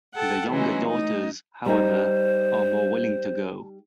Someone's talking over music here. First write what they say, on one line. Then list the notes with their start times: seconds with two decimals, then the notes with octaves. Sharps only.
The younger daughters, however, are more willing to go.
0.15 A4 F#5 G5 A5
0.49 E3 F#3 G#3 A3 C#4
0.85 A3 D#4
1.66 G3 D#4 C5